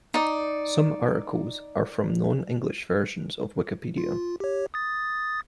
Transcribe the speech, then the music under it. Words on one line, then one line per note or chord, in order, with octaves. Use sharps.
Some articles are from non-English versions of Wikipedia.
D#4 D5
F4
G4 C#5
D#6 A6